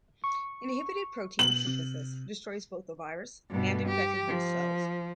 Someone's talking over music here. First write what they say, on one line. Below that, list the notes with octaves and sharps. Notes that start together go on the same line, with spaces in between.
Inhibited protein synthesis destroys both the virus and infected host cells.
C#6
B2 F#7
C3
G2 B2
G4
F3